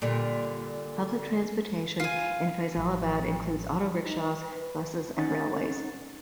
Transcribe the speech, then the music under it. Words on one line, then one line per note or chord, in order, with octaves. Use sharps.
Public transportation in Faisalabad includes auto-rickshaws, buses and railways.
A#2 D3 G3
F4 G#5
A1 F3
D#4
B4
C#4 D#4 F#5 A6